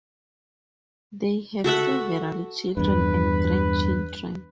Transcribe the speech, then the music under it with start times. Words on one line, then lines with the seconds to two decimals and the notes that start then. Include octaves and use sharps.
They have several children and grand children.
1.64 F#4 A4 E5 F#5
2.77 E2 G2 B4